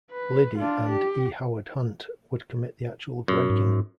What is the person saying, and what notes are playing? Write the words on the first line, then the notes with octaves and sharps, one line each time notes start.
Liddy and E. Howard Hunt would commit the actual break-in.
B4
D4 F4
G4
F#2
G#2